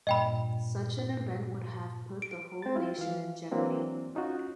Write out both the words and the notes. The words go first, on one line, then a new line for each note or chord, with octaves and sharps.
Such an event would have put the whole nation in jeopardy.
G2 A#2 D#5 G5 B5
D7
C4 A6
E4 F4
E3 F5
E3 F#3 A#3 C4 D4
C#4 D#4 F4 F#4